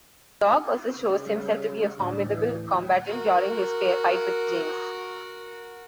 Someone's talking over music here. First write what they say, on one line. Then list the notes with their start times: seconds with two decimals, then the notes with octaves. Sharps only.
Dog also shows himself to be a formidable combatant during his fight with James.
0.95 C#3
1.26 G3
1.98 D2 A2 D4
2.28 E3
3.07 F#4 A#4